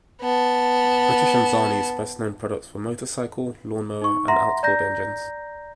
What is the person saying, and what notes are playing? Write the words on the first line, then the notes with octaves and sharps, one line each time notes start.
British Anzani's best known products were motorcycle, lawnmower and outboard engines.
B3 A5
D#4 C#6
E5 F#5 A#5 C6 A#6
D5 A#5 G6 A#6